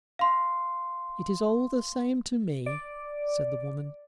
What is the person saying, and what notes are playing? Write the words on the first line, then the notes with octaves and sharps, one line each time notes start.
"It is all the same to me," said the woman.
F5 C6
D5